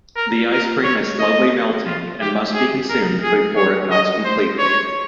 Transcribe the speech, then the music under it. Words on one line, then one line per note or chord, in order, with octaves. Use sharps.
The ice cream is slowly melting, and must be consumed before it melts completely.
A#4
A#4
C#5
D#5
F4
G4
G#4
A#4
G#4
C#5
D#5
C5
C#5